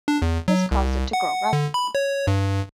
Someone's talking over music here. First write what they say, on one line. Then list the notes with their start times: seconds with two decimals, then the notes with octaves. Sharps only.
This caused it to grow rapidly.
0.08 D4
0.22 E2
0.48 F#3
0.71 C2
1.13 F#5
1.53 D3
1.74 B5
1.95 C#5
2.27 G2